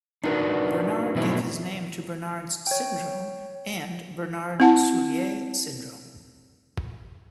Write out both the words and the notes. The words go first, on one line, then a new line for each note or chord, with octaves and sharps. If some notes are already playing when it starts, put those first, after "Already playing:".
Bernard gave his name to Bernard's syndrome and Bernard-Soulier syndrome.
D4 D#4 F#4 A#4 B4
B2 E3 F#3 A3 C4 E4
C#5 G5
C4 E4 F#5 A5